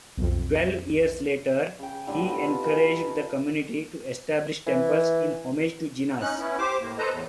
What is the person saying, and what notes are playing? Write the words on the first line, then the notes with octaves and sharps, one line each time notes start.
Twelve years later, he encouraged the community to establish temples in homage to Jinas.
B1 F2
C#3 G5
A2 D3 G3 C6
B3 F4 F#4 C5
D#4 F4 A5
D#4 A#4 B4 G#5
A5 A#5
E3
C#4 D#4 F#6
B3 C#4 E4
G4 C5 D6
A2 A#3
A4 B4 C5 D#5 A#5
E2 A2